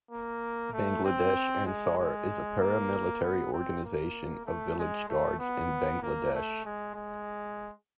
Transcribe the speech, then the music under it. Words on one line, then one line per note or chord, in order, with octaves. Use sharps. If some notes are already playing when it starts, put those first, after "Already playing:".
Bangladesh Ansar is a para-military organization of Village Guards in Bangladesh.
A#3
A3
C4
G#3
G#3
A#3
B3
C4
A#3
A3
G#3
A3
B3
A#3
A3
G#3
G#3